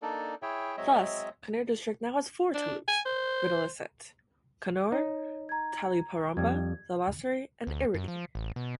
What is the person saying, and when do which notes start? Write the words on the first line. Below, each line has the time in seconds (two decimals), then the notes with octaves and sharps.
Thus Kannur District now has four taluks, videlicet, Kannur, Taliparamba, Thalassery and Iritty.
0.02 A#3 D4 D#4 A4 D5
0.42 E4 G#4 C#5 E5 G5
0.77 F#3 G#3 C4 C#5 D#5 E5
2.54 D4
2.88 G#5
3.06 C5
4.92 D#4 C#5
5.49 A#5 G#6
6.37 F2 G3 G#6
7.67 D2
7.94 F#2
8.08 F3
8.35 A1
8.56 B2